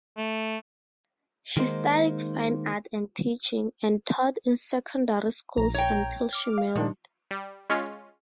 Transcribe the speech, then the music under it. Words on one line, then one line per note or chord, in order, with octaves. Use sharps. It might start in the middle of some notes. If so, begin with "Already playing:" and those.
She studied fine art and teaching, and taught in secondary schools until she married.
A3
D#3 G#3 A#3 D#4 C5
A#1 A#5
C#5 G5
D6 F6
F5
A#2 D#3 F3 D4
G3
G#3 C#4 F4